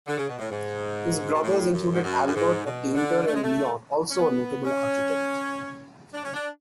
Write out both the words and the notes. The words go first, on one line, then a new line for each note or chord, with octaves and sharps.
His brothers included Albert, a painter, and Leon, also a notable architect.
D3
C#3
B2
A2
G#2
B2
A2
F#2
G#2
F#2
F#2
G#2
B2
D3
A3
G#3
A3
C#4
B3
C#4
D4
C#4
D4